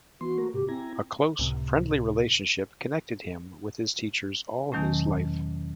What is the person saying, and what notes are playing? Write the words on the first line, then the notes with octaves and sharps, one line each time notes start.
A close, friendly relationship connected him with his teachers all his life.
E3 B3 F#4 C6
A3 A#3 A#4
G#2 C3 G4
C4 E4 G#5 A#5
C#2 A2 C3
E2 B2 D#3 F#3 A3 C#4